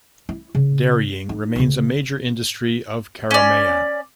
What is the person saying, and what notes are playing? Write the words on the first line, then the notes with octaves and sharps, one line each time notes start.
Dairying remains a major industry of Karamea.
E4
C#3
D#4
D2 C#3
C#4 D5